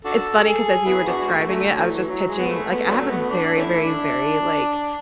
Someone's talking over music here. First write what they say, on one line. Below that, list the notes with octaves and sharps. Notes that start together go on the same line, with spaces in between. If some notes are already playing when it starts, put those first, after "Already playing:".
It's funny 'cause as you were describing it, I was just pitching like I have a very, very, very, like,
D4 F#4 A4
G#4
B3 E4 G#4
B3 D4 F#4
G#3
A3
D3 F#3 A3
D3 F#3
E3
F#3
G#3
B3
A3
B3
D3 F#3 A3
B3
D4
A3 C#4 E4
D4